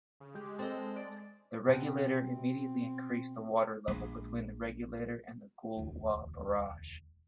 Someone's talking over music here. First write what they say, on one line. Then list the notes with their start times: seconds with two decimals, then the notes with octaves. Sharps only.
The Regulator immediately increased the water level between the Regulator and the Goolwa Barrage.
0.20 C#3
0.35 G#3 G4
0.59 C4 A4 D#5
0.96 D5
1.68 B2 C4
3.88 A#1 G#3
5.77 E1 D2